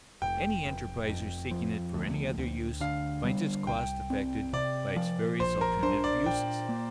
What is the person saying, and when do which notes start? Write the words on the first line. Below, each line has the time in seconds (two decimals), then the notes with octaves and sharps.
Any enterpriser seeking it for any other use finds its "cost" affected by its various alternative uses.
0.22 F1 G5
0.65 F1
1.09 F2
1.51 F3
1.94 D2
2.38 D2
2.81 D3 F5
3.24 G3
3.67 C2 G5
4.10 C4
4.53 C3 D5
4.96 F3
5.40 A#1 C5
5.61 A#4
5.83 D4 C5
6.04 D5
6.26 A#2 G5
6.69 A#3